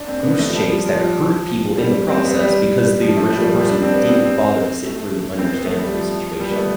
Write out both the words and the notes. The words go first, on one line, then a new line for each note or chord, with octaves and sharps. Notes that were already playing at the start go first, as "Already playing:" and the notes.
goose chase that hurt people in the process because the original person didn't bother to sit through and understand the full situation.
Already playing: D4
C4
B3
A3
F3
G3
F3
F3
F3
G3
C4
B3
G3
F3
A3
G3
F3
G3
D4
C4
B3
C4
C4
A3
C4
B3
A3
G3
F3
G3
B3
A3